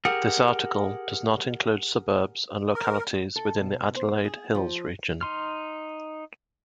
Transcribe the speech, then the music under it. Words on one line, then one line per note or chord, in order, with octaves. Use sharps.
This article does not include suburbs and localities within the Adelaide Hills region.
G4 G#4 A#4 F#5
A#4
A4
B2
C5
G#4
F3
D#4 C6 F6